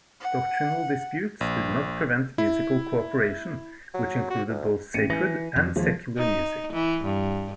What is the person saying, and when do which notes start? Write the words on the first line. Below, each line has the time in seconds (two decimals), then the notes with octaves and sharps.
Doctrinal disputes did not prevent musical cooperation, which included both sacred and secular music.
0.20 F#5
1.41 A#1
2.38 E4
3.94 F#3
4.30 F#4
4.49 D2
4.94 A1 C#7 D#7
5.10 E3 G#5 A#6
5.56 F2
5.76 D#2 F3 G#3
6.18 D#4
6.73 E3
7.04 G2